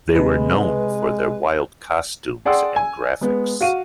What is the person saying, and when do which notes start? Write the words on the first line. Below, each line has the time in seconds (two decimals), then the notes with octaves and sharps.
They were known for their wild costumes and graphics.
0.16 C3 G#3 B4
2.45 G#4 D5 F#5 G5 C6 E6
2.76 G#5
3.21 G#3 B3
3.61 F#4 F5 D#7